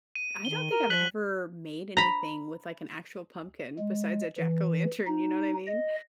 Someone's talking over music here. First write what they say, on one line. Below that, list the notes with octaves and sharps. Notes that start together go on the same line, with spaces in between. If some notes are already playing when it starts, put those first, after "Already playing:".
I don't think I've ever made anything with, like, an actual pumpkin besides a jack-o'-lantern, you know what I mean?
D#7
D#3 G7
A#4
F3 F#6 B6 F#7
A#5 B5
G#3
E3
D#4
D#5